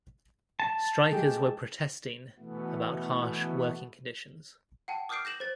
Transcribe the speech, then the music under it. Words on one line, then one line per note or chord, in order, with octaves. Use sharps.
Strikers were protesting about harsh working conditions.
A5
A6
G#3 A3 G4
B2 E3 A3 B3
F#5 G5 A5
D6 D#6 F6 G6 C7 D7
G6 A#6 E7 F#7
C5 A6